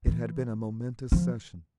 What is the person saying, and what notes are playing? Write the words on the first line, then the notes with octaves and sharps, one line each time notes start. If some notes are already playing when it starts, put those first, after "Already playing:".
It had been a momentous session.
E3
F3